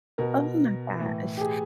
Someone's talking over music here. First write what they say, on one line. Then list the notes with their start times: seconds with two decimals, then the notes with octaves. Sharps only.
Oh my gosh.
0.18 B2 A#4
1.00 A2 E3
1.37 G4
1.41 G#4